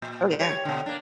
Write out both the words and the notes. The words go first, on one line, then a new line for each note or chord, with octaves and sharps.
Oh, yeah.
A#2
G4 C#5
B2 D3
A#3 D4